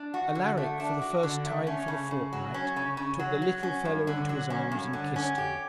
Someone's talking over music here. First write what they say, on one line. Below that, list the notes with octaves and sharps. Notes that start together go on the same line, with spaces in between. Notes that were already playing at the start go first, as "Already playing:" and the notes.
Alaric, for the first time for the fortnight, took the little fellow into his arms and kissed him.
Already playing: D4
F#4
D3
A3
D4
F#4
D3
A3
C#4
C#3
C#3
F#3
C#4
C#3
C#3
F#3
F#3
C#4
G2
D3
F#3
C#4
G2
D3
C#4
G4